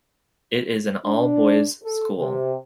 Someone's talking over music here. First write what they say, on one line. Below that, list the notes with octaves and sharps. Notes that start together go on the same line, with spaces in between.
It is an all-boys school.
D4
A4
C3